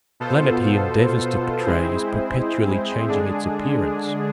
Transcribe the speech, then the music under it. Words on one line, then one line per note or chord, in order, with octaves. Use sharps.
The Planet he endeavours to portray is perpetually changing its appearance.
B2 B3 F4 A4 C5
G#3 C4 E4 G#4 C5
D3 G#3 D4 G#4